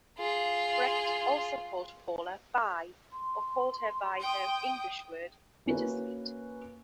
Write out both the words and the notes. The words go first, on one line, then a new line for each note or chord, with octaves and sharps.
Brecht also called Paula "Bi" or called her by the English word "Bittersweet".
F4 G#4
C6
G5 D#6
A#3 C#4 F#4 A#4 B4